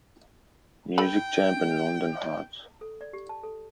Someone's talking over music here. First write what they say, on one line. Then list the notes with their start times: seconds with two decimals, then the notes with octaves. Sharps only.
Music Champ and London Hearts.
0.98 A4 G5 B5
2.81 A4
3.01 D5
3.13 G4
3.29 A5
3.43 A4